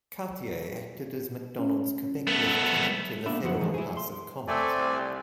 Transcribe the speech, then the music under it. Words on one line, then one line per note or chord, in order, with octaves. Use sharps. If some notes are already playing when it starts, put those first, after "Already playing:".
Cartier acted as Macdonald's Quebec lieutenant in the federal House of Commons.
C#4
A3 B3
A#3 B3 D4 E5 B5
F#2 D3 F3 F#4 C5 F#5
G#2 E3 F3 G#3 A3
E4 G#4
C6
A3 C4 D5 G#5
C2